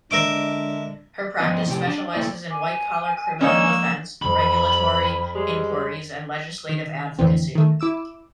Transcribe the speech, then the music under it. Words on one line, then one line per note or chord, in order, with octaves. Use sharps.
Her practice specializes in white-collar criminal defense, regulatory inquiries, and legislative advocacy.
D3 G#3 D4 A#4 E5 D6
F3 B3 D4 D#4 D#5
A2 C3 F3 G4
D4
A3 A#3 E4 D5 D#5
G#5 D6
F3 G#3 A#3 C#4 D#4 C#5 E6
F2 B5
G3 G#3
D#3
F2 A2 D3 E3 C4
D#3 A3
E4 D6 E6 E7